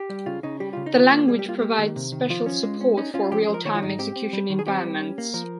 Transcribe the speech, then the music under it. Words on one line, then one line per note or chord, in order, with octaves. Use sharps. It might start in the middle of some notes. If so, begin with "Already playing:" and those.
The language provides special support for real-time execution environments.
Already playing: G4
G3
C#3 F4
C#3 D#4
G3 G4
C#3 F4
D#4
D#3 F4
A#3
G3 G#4
G4
A#3 F4
A#3 G4
D#3
C3
D#3
F3 F4
C#4
G#3
C#4
C#4 D#4
C#4 F4
F3 G4
G#4
F3
A#4
D#3 C#5
F4
G#2 D#4
C4 G4
C4
G3
D#3
G#4
C4 G4
G3
C#4
A#3
F3 A#4